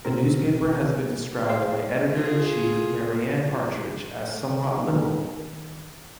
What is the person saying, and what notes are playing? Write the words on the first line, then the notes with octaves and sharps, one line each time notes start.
The newspaper has been described by editor-in-chief Marianne Partridge as somewhat liberal.
B2 C4 A#4
G#4 C5 F5 G5
F4 G#4
D#3